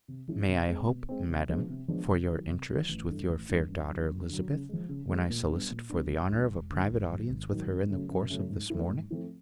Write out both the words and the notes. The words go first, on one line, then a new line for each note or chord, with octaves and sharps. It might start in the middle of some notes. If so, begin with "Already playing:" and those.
"May I hope, madam, for your interest with your fair daughter Elizabeth, when I solicit for the honour of a private audience with her in the course of this morning?"
C3
F3 G#3 C#4 E4
B2
G#3 C4
B2
G#3 C4
C3
F3 G#3 B3 D4
C3
F3 G#3 B3 D4
C3
D#3 F#3
C3
D#3 F#3
A1
G2 E3 A3 D4
A1
G2 E3 A3 D4
F#2
D3 F#3
F#2
D3 F#3
C#3
F3 G#3
C#3
F3 G#3
A#2
G3 B3 D4
A#2
G3 B3 D4
E1
D2 D3 G3
E1
D2 D3 G3
G#1
G#2 D#3 F#3
G#1
G#2 D#3 F#3
F#2
C#3 F#3 A3 C#4
F#2
C#3 F#3 A3 C#4
G#2
F3 A3 C4 E4
G#2
F3 A3 C4 E4